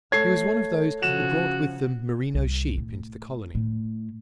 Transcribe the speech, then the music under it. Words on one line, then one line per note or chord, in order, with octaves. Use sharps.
He was one of those who brought with them merino sheep into the colony.
A3 A4 C#5 G#6 C7
C#3 F3 F#4 E7
C2
A2
A2